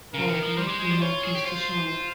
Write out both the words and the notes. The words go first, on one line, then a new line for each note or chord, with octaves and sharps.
"Hardly," remarked Mr. Sharp.
C#3 A#4
D#3
F3
G3 C5
G#3
G#3
G3
F4 C#5
G#4
G4
F4 C5